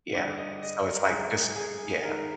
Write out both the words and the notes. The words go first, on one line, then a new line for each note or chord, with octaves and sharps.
Yeah. So it's like just yeah.
G2 D3 D5
D5
D#5
D#5
A#4
G2 D3 G#4
G#4
G#2 D#3 A#4